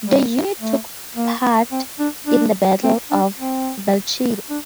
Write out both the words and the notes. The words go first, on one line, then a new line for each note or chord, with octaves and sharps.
The unit took part in the Battle of Belchite.
G3
A3
A#3
C4
D4
D4
C4
D4
C4
D4